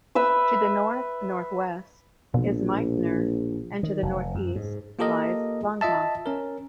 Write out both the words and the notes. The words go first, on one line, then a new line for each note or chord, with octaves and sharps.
To the north-northwest is Meitner, and to the northeast lies Langemak.
B4 E5 E6
A#1 B2
D#3
F1
F#2
G#2
A#3 F4 G4 A4 A#4 D#5
F4 D#5 E5 A5
C#4 A#4